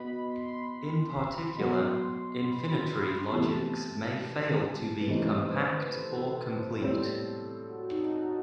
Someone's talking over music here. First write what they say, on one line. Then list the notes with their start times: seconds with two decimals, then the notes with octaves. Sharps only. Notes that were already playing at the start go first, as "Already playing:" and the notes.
In particular, infinitary logics may fail to be compact or complete.
Already playing: B3 F#4 B4 D#5 B5
0.27 C6
1.57 B2 F#3 B3 F#4
2.45 B5
3.04 C6
3.18 B5
3.32 C3 E3 A3 A5
5.01 B4
5.07 C3 E3 A3 D#4 C5
5.50 B4
5.94 A4
6.82 A2 G3 C4
7.69 F#4
7.90 D#4
8.12 F#4